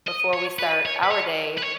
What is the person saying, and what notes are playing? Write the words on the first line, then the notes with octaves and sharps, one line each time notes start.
before we start our day,
D#5
C#5
B4
C#5
B4
C#5
B4
C#5